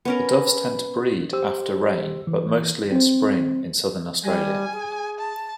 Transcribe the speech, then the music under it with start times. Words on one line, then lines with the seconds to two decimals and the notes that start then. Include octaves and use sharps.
The doves tend to breed after rain but mostly in spring in Southern Australia.
0.05 B3 C#4 A#4
1.33 G4 C5 E6
2.27 E3
2.92 C4 C5
4.24 G3 G#5
4.73 G#4
5.19 A5